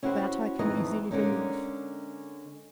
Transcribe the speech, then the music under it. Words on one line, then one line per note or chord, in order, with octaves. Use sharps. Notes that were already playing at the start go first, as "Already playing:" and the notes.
"That I can easily believe."
C#4 E4 F#4 G4 B4 C5
F2 E3 D#4 D#5
D3 G#3 A#3 C#4 D#4